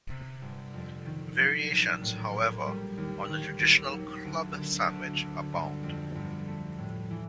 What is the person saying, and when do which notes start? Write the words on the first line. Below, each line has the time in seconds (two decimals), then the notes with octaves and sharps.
Variations, however, on the traditional club sandwich abound.
0.10 C3
0.42 G1
0.74 F2
1.06 D#3
1.38 F#3
1.70 A#1
2.02 A2
2.33 A#3
2.66 G3
2.97 D#2
3.29 D#3
3.60 D#2
3.92 F#3
4.25 D2
4.56 D3
4.88 D2
5.20 D3
5.52 G1
5.83 F2
6.15 G1
6.48 A3
6.79 A2
7.10 E3